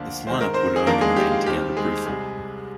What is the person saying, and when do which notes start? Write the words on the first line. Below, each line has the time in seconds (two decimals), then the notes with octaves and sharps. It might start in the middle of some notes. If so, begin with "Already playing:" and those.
This line-up would only remain together briefly.
Already playing: D2 D3 F3 A#3 D4
0.27 G#2 D#3 G#3 C5
0.41 A#4
0.54 C4 C5
0.76 G#4
0.87 F2 D#3 A#3 D4 A#4
1.01 G#3 G#4
1.17 G4
1.31 F4
1.46 D#2 D#3 G3 C4 G4
1.77 G#3 G#4
2.06 C2 C3 G3 G#3 G#4